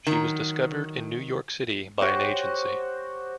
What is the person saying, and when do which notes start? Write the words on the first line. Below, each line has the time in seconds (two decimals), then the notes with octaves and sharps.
She was discovered in New York City by an agency.
0.07 D#3 F#3
2.01 F#4 G4 C5 C#5